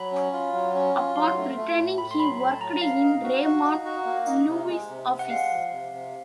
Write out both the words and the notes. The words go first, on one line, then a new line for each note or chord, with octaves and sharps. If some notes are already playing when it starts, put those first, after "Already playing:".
Upon returning he worked in Raymond Loewy's office.
Already playing: F#3 B5
C#4
F4
F#3
C#4
F4
F#3 C6
A3
A3
A2
A2 B5
C6
F#3 B5
A2 B5
A5
F#3 A#5
A#4 F5
D#4
F#4
F#4
D#4
F#4
A#3
D#4
C3
G#3
C3
C3
F#5
G#3 F5
F3
C3
C3